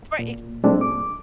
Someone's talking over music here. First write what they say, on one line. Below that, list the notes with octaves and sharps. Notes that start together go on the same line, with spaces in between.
Right. It's
A#2
A#2 F#3 G#3 A3 C4 D4
D6